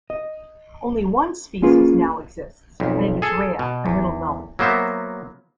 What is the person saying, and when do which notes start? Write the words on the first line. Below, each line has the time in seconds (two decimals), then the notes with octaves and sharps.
Only one species now exists, and it is rare and little known.
0.10 D#5
1.62 A#3 C#4 F4 G#4 B4
2.80 B1 F2
3.22 G#4 A4
3.59 B2
3.86 E2
4.59 F#3 A#3 B3 C5 E5